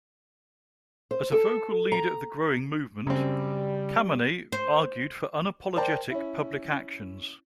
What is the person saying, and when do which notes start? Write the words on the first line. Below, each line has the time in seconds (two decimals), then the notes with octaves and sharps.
As a vocal leader of the growing movement, Kameny argued for unapologetic public actions.
1.11 C5
1.32 A4
1.92 A#5
3.07 F#2 C#3 G3 C4
4.52 C5
5.76 A#4 C5 D5 G5 A5
6.10 C#4 E4